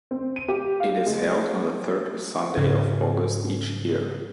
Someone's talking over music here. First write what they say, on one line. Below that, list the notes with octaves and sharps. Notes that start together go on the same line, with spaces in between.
It is held on the third Sunday of August each year.
C4
D#7
G4
F5
G#3
G#2 C#3